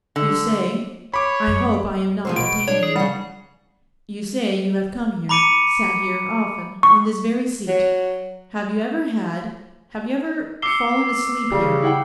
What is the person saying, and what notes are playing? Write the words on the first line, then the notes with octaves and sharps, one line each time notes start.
'You say--I hope I am not detaining you--you say you have come here, sat here often, on this very seat; have you ever had--have you ever fallen asleep here?'
D3
C#5 B5 D6
F#2
F3 G#3 C5
B2 D7
D4 C#5
G#4
C#3 G3 F#5
A#5 B5 D6 C#7 D#7
C#6
F#3
D6 E6 C7 C#7 G7
C#3 G3
E4 F#5 G5